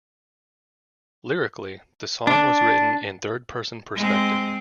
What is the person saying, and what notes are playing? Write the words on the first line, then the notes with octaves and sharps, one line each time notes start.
Lyrically, the song was written in third person perspective.
D4
G#3 C4